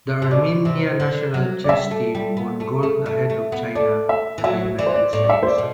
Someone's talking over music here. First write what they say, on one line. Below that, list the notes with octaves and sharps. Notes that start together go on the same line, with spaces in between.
The Armenia national chess team won gold ahead of China and the United States.
C3
B2 D5
C3
D3
F#3
D5
G3 E5
A3
G3
B3
A3
A3
A3
A3
B3
A3 D5
E5
E3
F#3 E5
E3 D5
C5
D5
A2 D5
D5
E5
C5
D5
B2